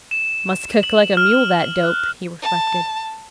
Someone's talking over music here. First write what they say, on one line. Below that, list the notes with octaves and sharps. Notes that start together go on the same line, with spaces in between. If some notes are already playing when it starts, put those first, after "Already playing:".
"Must kick like a mule, that dope!" he reflected.
E7
F#7
F6
F#6
A5